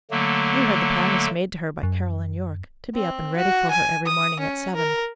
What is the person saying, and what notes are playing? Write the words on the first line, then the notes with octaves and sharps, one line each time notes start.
You heard the promise made to her by Caroline Yorke, to be up and ready for her every morning at seven.
D3 F#3 A3 A#3
F#2
C4
F#4
G#5
D#6
C#4
A#4